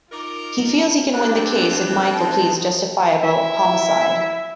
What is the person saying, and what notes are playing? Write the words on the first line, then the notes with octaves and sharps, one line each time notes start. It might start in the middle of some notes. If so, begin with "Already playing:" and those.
He feels he can win the case if Michael pleads justifiable homicide.
D#4 F4 A#4 D6
A5
B2 A3 C4 D4 G4 F#6
D#4 A5
E4 E5